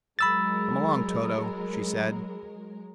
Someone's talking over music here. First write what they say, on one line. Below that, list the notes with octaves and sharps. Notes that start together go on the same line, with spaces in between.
"Come along, Toto," she said.
F#3 G#3 A#4 B5 E6 A6